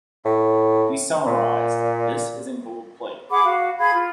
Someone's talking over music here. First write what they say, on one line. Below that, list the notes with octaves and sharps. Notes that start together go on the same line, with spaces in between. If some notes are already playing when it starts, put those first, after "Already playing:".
He summarized, This isn't gold plate.
A2
A#2
G#4 F#5 B5 D6
F#4 F5
G#4 F5 B5 G#6
F4